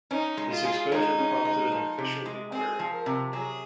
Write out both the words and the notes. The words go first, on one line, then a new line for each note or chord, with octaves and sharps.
This exposure prompted an official enquiry.
C#4 D#4
G#3
F4
G#4
G#3 D#4
C#4
G#3
F3
C3
G#3
C4 G#4
F3
A#4
C3
F#3 G#4